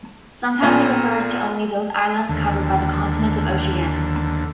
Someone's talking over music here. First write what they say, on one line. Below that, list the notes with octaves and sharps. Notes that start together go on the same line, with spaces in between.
Sometimes it refers to only those islands covered by the continent of Oceania.
B1 A#2
D#2 D3